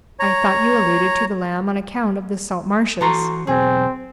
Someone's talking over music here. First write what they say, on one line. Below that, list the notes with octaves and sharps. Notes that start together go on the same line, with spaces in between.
"I thought you alluded to the lamb on account of the salt marshes."
C#5 A#5
E3 F#4 A4 A#5 C6 C#6
B1 E2 C4 G#4